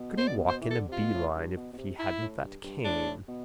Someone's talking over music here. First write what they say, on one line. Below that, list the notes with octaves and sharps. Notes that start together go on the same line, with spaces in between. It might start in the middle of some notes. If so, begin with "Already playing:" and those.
Could he walk in a beeline if he hadn't that cane?
Already playing: B2
C5
D5
C5
E3
A4
D3
C3 F4
B2
A2
G2
B2
B2
C3
E4
A2
G2
G2
A2 D4
B2